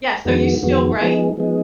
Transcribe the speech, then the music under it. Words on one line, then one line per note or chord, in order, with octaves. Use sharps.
Yes, so you still write?
F2 D#3 G#3 B3 F#4
F2 D#3 G#3 B3 F#4
F3 G#3 B3 D#4 G#4
F3 G#3 B3 D#4 G#4